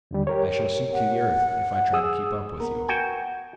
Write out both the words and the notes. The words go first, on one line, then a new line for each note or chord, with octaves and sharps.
I shall sink to the earth if I try to keep up with you.'
D#2 D3 G3
G4 A#4 C#5
F#5
G#4 D#6 E6
B3 A#4
F#4 G5 G#5